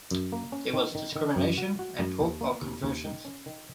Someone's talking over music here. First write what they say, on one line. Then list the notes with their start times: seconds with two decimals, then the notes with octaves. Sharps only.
There was discrimination and talk of conversions.
0.11 F#2
0.32 A#3
0.52 C#4
0.73 D#3
0.95 D#3
1.16 D#3
1.36 F#2
1.58 F#4
1.79 F#4
1.99 F#2
2.21 D#2
2.41 A#3
2.62 D#2
2.83 D#2
3.04 D#3
3.25 C#4
3.46 D#3